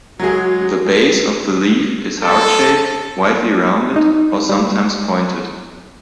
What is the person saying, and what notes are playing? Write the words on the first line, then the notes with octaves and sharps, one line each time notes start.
The base of the leaf is heart shaped, widely rounded or sometimes pointed.
F#3 G#3 F#4 G#4
A4
D#4
G3